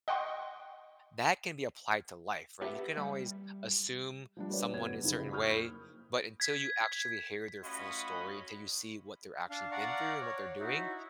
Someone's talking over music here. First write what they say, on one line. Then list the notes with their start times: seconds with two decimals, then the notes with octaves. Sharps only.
that can be applied to life, right? You can always assume someone is a certain way, but until you actually hear their full story, until you see what they're actually been through and what they're doing,
0.08 D#5 F#5 G5 C6 C#6
2.62 B3 G4 E5
2.97 G3
4.37 F3 G3 D4
4.49 G3 F#4 A#4 B4 C#5 D5
4.73 F#1 B3 B4 G#6
5.03 F2 C#3 F#3 C4 E4
5.31 B5 C#6 D#6 F6 G6
5.52 A#3
6.40 G#6 B6
7.63 A3 C#4 F4 F#4 D#5 B5
9.50 D4 F5
9.72 D5 F5 F#5 A#5 C#6
10.21 C#5
10.59 D#4 E4 F#4